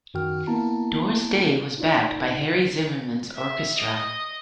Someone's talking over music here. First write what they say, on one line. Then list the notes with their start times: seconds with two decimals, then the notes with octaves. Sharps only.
Doris Day was backed by Harry Zimmerman's Orchestra.
0.14 F#2 D#3 F#4 G5 F6
0.47 A#3 B3 E4 A5 A#5
1.78 D#4 F4 D5
3.36 E5
3.77 D#5 D#6